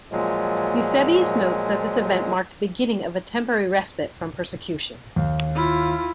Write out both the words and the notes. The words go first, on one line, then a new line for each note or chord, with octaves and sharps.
Eusebius notes that this event marked the beginning of a temporary respite from persecution.
A#2 F3 F#3 G#3
D#2
E4 F4